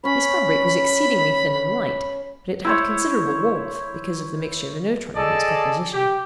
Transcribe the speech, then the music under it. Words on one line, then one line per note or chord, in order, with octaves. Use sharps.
This fabric was exceedingly thin and light, but it had considerable warmth, because of the mixture of inertron in its composition.
C#4 C#5 B5
E4 C5 C#5
G#4 A4 D5 D#5 A5
G4